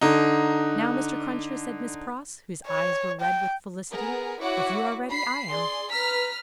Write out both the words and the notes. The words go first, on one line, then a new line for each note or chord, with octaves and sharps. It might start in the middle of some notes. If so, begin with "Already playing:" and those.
"Now, Mr. Cruncher," said Miss Pross, whose eyes were red with felicity; "if you are ready, I am."
D3 D#4
C#5
G5
B3 G#4 A#4
E4 F#4 C#5 F#5 D6
B5 C7
G#4 D5 C6
B4 A#5 F6 B6